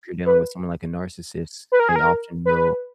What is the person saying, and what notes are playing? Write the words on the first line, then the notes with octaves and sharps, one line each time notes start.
if you're dealing with someone like a narcissist, they often will
B4
B4
A#4
G#4
A#4
B4